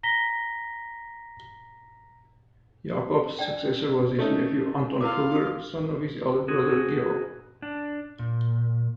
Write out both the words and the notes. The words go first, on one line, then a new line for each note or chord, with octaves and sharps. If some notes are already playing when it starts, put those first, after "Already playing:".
Jakob's successor was his nephew Anton Fugger, son of his elder brother Georg.
A#5 A#6 B6 G7
D4 D5 G5
A3 C#4 D#4
E4 F4 A#4 F5 D6
F#4 G#4
D4
A#2